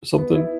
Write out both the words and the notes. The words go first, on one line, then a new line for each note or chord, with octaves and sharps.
or something?
B3
E4